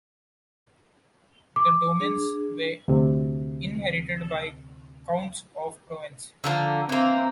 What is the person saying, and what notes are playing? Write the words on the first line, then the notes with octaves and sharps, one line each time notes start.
The domains were inherited by Counts of Provence.
D6
D4 G#4
D2 C3
D3 F3 A#3
E3 A#3 C4